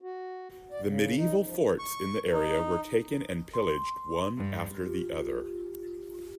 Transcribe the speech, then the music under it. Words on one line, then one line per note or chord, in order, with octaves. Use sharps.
The medieval forts in the area were taken and pillaged one after the other.
F#4
D5
C#3
D#4
F3
C#6
D#4
C6
G2
F4 G4